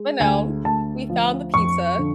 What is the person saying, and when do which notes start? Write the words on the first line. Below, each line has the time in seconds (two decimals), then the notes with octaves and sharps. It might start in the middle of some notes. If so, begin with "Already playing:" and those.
But no, we found the pizza,
Already playing: G#3
0.20 D2 G#5
0.64 D2 A5
1.10 F3
1.54 F2 C#6
1.99 D3